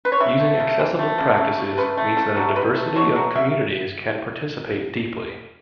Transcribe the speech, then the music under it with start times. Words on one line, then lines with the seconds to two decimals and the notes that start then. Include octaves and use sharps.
Using accessible practices means that a diversity of communities can participate deeply.
0.05 B4
0.12 C#5
0.20 C#3 E5
0.39 A3
0.60 C#3
0.79 E3
0.99 A3
1.18 C#3
1.38 C#3
1.58 A3
1.78 C#3 B4
1.97 A3
2.17 C#3 A4
2.37 F#3
2.56 B2 B4
2.76 A3
2.96 B2 C#5
3.16 F#3
3.35 C#3 E5